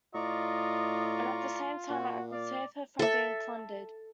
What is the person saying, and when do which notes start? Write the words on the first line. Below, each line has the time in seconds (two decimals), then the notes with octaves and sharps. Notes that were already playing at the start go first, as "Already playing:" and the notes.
And at the same time I could save her from being plundered.
0.14 A2 F4 D5 D#5 A#5 C#6
1.90 A#2 F#4
2.32 D5 F5
2.99 A4 E5